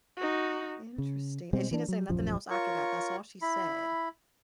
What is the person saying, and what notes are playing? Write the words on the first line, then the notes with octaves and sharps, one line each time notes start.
Interesting, and she didn't say nothing else after that, that's all she said?
D#4 F#4
C#3
B2 G3 G#3 C4
E3 A#3 D4
F#3
D#1 A#1 F#2 F3
F4 A#4 C#5 C#6
E4 B5